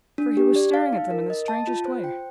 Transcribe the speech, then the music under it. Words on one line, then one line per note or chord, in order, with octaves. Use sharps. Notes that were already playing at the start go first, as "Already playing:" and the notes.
For, he was staring at them in the strangest way.
D4
G4
D5
F5
D#4
A#4
D#5
A5
F4
C5
G5